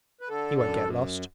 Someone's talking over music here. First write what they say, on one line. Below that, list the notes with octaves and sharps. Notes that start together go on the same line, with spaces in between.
'He won't get lost.
B4
D3 A4
F#2 A4